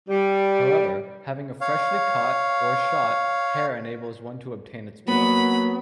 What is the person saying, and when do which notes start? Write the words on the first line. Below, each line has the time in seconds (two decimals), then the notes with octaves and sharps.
However, having a freshly caught, or shot, hare enables one to obtain its blood.
0.08 G3
1.61 C#5 F5
5.08 F#3 A#3 B3 B5